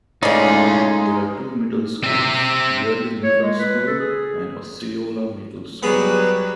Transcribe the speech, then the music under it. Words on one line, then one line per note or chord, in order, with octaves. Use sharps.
There are two middle schools: Yearling Middle School, and Osceola Middle School.
A2 C#3 G#3 C#4 D#4 F4 D5
C4 E5
C#5
G#3
B4
A4
G#4
F#3 G3 B3 G#4 B4